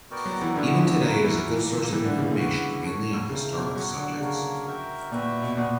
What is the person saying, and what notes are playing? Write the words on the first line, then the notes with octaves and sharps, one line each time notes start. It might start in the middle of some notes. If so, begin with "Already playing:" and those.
Even today, it is a good source of information, mainly on historical subjects.
B3 F#4 A#4 D5 G5
F#3
E3
D3 B3 D4 G4 C#5 E5
F#3 E4 A#4 C#5 F#5
E3
A#3 D4 G4
E3 G4 B4 E5 G5
D3
C#3
D3
F#4 B4 D5 F#5
D4 F#4 C#5
C#3 D4 A#4 E5 G5
B2
F#3 G4 C#5 F#5
D3
D3
C#3 A#3 D4 A#4 C#5
F#4 A#4 E5 G5
A#2 F#4 B4 E5 G5
B2
A#2 B3 F#4 B4